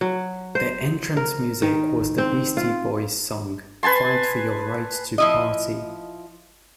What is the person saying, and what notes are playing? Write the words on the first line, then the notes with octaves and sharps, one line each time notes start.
Their entrance music was the Beastie Boys' song "Fight For Your Right to Party".
F#3
C5
A#4
D#3
C4
F4
B4 G#5 A5 C6
F3 E4 D#5